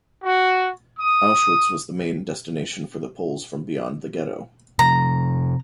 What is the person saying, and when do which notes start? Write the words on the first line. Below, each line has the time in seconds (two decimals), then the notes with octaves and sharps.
Auschwitz was the main destination for the Poles from beyond the ghetto.
0.23 F#4
0.99 D#6
4.79 C3 F3 A#5